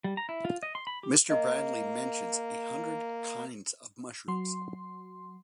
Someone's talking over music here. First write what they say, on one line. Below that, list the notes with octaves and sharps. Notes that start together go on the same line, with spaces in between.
Mr. Bradley mentions a hundred kinds of mushrooms.
G3
A#5
E4
F4
D#5
C6
B5
G4
A#3 D#5
F#3 C6